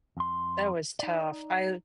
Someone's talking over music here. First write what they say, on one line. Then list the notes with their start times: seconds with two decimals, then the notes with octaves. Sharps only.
That was tough, I l
0.17 F2 C6
0.99 D#4 D5